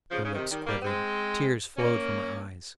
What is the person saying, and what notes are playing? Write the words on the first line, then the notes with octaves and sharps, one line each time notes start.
Her lips quivered, tears flowed from her eyes.
C#3 F3
C#3
C3 D#3
D#3 G3
G3 A#3
G#3 C4
A#3 C#4